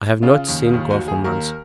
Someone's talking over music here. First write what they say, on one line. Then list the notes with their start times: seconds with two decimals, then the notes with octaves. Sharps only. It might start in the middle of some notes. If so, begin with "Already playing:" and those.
"I have not seen Gore for months."
0.23 C#3 F4
0.48 D#2
0.74 D#2 F4
0.91 F#4
1.00 D#2
1.08 G#4
1.24 D#2 A#4